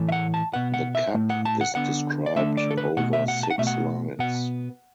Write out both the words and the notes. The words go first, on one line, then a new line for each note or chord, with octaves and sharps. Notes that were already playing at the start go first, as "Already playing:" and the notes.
The cup is described over six lines.
Already playing: A2 E3 A3
E5
F#5
A5
B2 B3 F#5
F#5
E5
A2 A3
F#5
A5
F#5
D3 B3 F#5
D5
D3 A3 E5
D5
A4
B4
B2 A3 F#5
E5
F#5
A5
F#5
B2 A3 E5
F#5
B2 B3 F#5